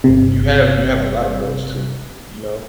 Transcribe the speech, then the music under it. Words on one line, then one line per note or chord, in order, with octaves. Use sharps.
you have you have a lot of those too, you know.
G1 C3